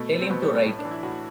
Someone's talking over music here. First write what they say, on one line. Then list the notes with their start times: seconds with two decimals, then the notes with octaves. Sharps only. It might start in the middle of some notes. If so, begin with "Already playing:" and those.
Tell him to write.
Already playing: B2 A3
0.21 C4
0.30 B2 B3
0.42 G3
0.55 A3
0.66 A2
0.79 D4
0.85 E3
0.91 E4
1.03 A2 F#4